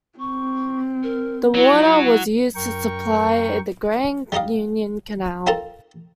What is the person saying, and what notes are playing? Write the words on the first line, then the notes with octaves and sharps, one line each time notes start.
The water was used to supply the Grand Union Canal.
C4 C#6
A#4
F#3 E4
F#2 A#4 G5 C#6
G3 D#4 G4 D#5 F5
C4 D#4 F4 A4 A#4 A5